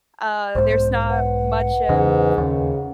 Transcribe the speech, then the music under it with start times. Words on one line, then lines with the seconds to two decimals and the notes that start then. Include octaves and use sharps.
uh, there's not much of,
0.55 B1 G#2 C5
1.10 B4 F#5
1.89 E2 G#2 C#3
2.38 D#2 C#3